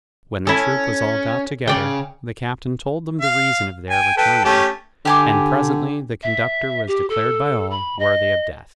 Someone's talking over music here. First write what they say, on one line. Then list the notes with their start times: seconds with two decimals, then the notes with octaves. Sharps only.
When the troop was all got together, the captain told them the reason of their returning; and presently the conductor was declared by all worthy of death.
0.47 C#4 E4 A4
1.67 C#3 D5 G5
3.21 F5
3.90 G5 G#5
4.17 A4 B4 G5
4.45 A3 C#4 G4
5.05 D3 G4 G#5 D6
6.23 E5
6.88 G4
7.09 A4
7.71 B5
7.99 D#5